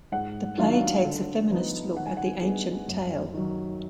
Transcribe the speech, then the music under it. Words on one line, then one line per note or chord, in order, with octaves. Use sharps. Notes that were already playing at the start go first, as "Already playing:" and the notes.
The play takes a feminist look at the ancient tale.
G#2 F#5
D#3 F#3 D4 F4
D3
F3 B3 D#4
D#3 F#5
G#5
F#5
G#3 B3 D4
F#2
D#3 F#3